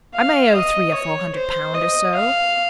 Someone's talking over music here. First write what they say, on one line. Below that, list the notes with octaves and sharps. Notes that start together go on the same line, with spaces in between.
"I may owe three or four hundred pounds or so."
F5
D#5
C#5
C5
D#5
F5